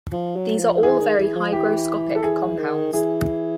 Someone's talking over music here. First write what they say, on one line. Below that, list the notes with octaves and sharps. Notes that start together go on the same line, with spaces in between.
These are all very hygroscopic compounds.
F3
F#3
F3
E3 G#4
D#3
E3
F3
E3 G4
A4
E3 G#4
D#3
E3 G#4